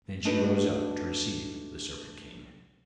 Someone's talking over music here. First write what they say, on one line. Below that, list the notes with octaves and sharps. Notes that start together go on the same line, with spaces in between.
Then she rose up to receive the Serpent King.
A3 D4 D#4 F#4 A4 B4